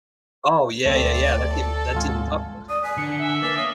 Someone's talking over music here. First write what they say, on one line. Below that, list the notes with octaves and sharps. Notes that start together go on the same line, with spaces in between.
Oh, yeah, yeah, yeah, that's even that's even tougher.
D2 A3 C4 D5
A4
G#1 F4 G#5
D5 D#6
B4 G#5
D3 C#7
E5
A#3 B4 D5
C#5 D#6